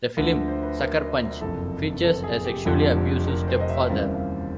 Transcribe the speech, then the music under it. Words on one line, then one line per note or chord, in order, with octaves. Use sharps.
The film, "Sucker Punch" features a sexually abusive stepfather.
D2 D3 F3 B4
B4
C5
B4
A#4
F#1 F2 C3 A4
A4
G#4
G4
F1 F2 D3 F3 G4
A#4
C5
D#5
E5
D#2 C#3 E3 G3 C4 F5
E5
F5